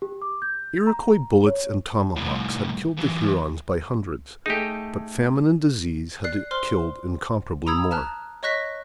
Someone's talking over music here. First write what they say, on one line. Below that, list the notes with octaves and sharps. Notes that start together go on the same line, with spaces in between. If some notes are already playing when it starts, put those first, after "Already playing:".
Iroquois bullets and tomahawks had killed the Hurons by hundreds, but famine and disease had killed incomparably more.
G4
D6
G6
A#5
C#5
C2 A2
E3 F#3
A3 D#4 G4 G#4
D5 F#6 C7
C5 C6 F6 G7
A#5 B5 D#6 E6 G#6
A5 A#5 F6 F#6
C#5 D#5 C#6 F#6 A#6 B6